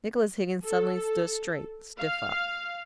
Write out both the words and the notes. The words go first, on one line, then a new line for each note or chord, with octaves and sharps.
Nicholas Higgins suddenly stood straight, stiff up.
A4
F5